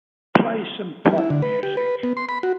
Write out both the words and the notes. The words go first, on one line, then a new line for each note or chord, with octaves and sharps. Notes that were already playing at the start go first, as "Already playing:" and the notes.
Play some pop music.
G3
E4
D3
B4
G4
B4
B3
C6
B5
F#4